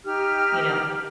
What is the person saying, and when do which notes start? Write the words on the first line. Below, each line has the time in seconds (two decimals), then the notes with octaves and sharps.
you know,
0.05 D#4 G4 F6